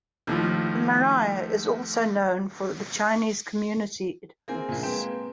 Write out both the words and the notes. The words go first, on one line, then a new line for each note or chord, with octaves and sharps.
The Marais is also known for the Chinese community it hosts.
D#2 A2 F3
A#3 C4 G#4 A#4 G#5
A#1 A#2
G#3 A#3 C4 B4 G5